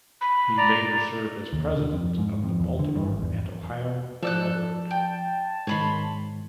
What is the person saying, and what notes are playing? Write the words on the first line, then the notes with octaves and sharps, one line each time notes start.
He later served as president of the Baltimore and Ohio Railroad.
B5
D5 A#5
D#2
D3
F2
G#2
F2
E2
D3
G2
G#1
E2
F3 A4 D5 E6 F#6
G5 A5
G#2 D#3 C#5 B5 C6